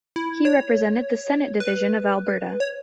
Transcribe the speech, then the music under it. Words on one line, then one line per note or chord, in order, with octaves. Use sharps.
He represented the senate division of Alberta.
E4
C#5
B4
C#5